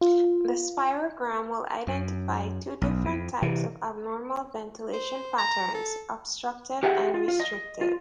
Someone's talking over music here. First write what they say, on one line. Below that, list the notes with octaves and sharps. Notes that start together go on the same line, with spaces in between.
The spirogram will identify two different types of abnormal ventilation patterns, obstructive and restrictive.
F4
F#2
B1
F2
C3 E3
C5
A#5
A4
G4 G#4 E5 F#5 G5
F4
F4
D#5
F4